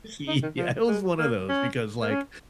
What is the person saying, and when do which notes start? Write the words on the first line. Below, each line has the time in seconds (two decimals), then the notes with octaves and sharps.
yeah, it was one of those, because, like,
0.28 D#4
0.43 D#3
0.58 F3
0.88 G#3
1.18 A#3
1.49 C#4
2.02 A#3
2.11 C#4